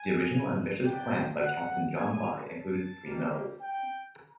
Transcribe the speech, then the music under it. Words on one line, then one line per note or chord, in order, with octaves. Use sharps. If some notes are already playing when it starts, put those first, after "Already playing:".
The original ambitious plans by Captain John By included three mills.
Already playing: G#5
F2 C#3 F#3 B3 D4 G5
F#5
E2 B2 F#3 G#5
A5
C3 D#3 G3 A#3
G5